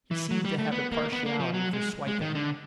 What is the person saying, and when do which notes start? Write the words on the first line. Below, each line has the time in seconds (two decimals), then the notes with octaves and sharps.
He seemed to have a partiality for swiping.
0.11 E3
0.31 F#3
0.45 G3
0.59 A3
0.72 B3
0.92 A#3
1.13 B3
1.26 A#3
1.40 F3
1.54 F#3
1.73 G#3
2.07 G#3
2.22 D#3
2.35 D3